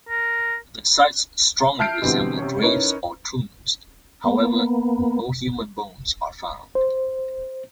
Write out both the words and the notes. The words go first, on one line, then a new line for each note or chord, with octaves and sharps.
The sites strongly resemble graves or tombs; however, no human bones are found.
A#4
E5 A5 F6 G6 C7 D7
B2 D3 E3 G3 C4 E4
C3 C#4
C#4 D#4 E4 A#4 B4 C#5
A#3 B3
C5